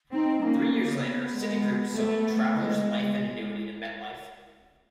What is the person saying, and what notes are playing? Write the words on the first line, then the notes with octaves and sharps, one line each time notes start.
Three years later, Citigroup sold Travelers Life and Annuity to MetLife.
C4 D#4
A#3 C#4
B3
G#3
A3
G#3